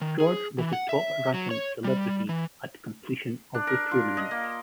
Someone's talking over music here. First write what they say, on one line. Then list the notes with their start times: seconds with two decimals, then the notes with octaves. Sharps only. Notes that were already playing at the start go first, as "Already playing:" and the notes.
George was the top-ranking celebrity at completion of the tournament.
0.01 D#3
0.20 G#4
0.58 E3
0.73 F#5
0.89 E5
1.34 F#3
1.51 C#5
1.84 G3
2.29 E3
3.54 D4
3.67 A#4
3.91 F4
4.17 D#5
4.31 A#3